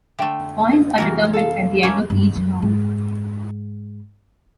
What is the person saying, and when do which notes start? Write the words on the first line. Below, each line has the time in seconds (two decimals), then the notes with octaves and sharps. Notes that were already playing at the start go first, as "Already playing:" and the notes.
Points are determined at the end of each round.
0.19 D3 A3 E5 G5
0.71 D#5
0.98 C3 E3 F#4 A#4
1.33 A4 F5
1.83 A3 A#3 C#4
2.10 G2
2.35 F#2 F#3
2.62 G#2